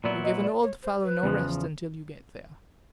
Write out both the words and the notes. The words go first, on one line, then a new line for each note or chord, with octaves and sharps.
You give an old fellow no rest until you get there.
A#2 F#3 B3 E4 D5
D#5
D5
C#5
C5
B4
E2 C#3 F3